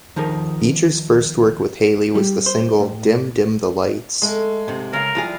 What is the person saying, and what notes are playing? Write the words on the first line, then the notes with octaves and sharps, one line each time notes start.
Beecher's first work with Haley was the single "Dim, Dim the Lights".
D#3 F3 D#4 G#4 A#4
G3
C5
A2
G#3 A3
G#2 C3
C#3 A#4 F5
F3 G3 E4 F4 G#4